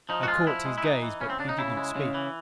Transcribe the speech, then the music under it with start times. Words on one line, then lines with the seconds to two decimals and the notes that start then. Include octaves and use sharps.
I caught his gaze but he did not speak.
0.09 F3 D#4
0.23 F#4
0.28 G#3 F4
0.46 F3 E4
0.65 G#3
0.78 E4
0.83 E3 D#4
1.02 E3
1.21 C#3 C#4
1.30 C4
1.39 C#3 D4
1.49 D#4
1.58 C#3 E4
1.77 G#3
1.96 C#3
2.14 E3